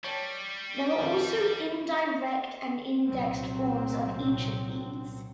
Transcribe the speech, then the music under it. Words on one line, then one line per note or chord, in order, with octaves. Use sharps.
There are also indirect and indexed forms of each of these.
G3 C#5 G5 A5
F2 D#3 E4
C2 A#2 F#3 C4